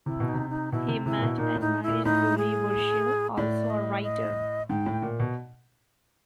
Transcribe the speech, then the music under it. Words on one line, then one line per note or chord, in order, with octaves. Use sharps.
He met and married Julie Burchill, also a writer.
C3 E4
B2
D#4
C3
D#4
B2 E4
C3
C3 E4
A#2
B2
A#2 D#4
A2
D#4
A#2 E4
A2 D#4
G#4
A2 D5
D#5
D#5
G#2 G5
A2
A#2
B2